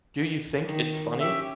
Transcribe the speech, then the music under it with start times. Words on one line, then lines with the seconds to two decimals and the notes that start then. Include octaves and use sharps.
Do you think it's funny?
0.66 D#3
1.19 C#4 G4 E5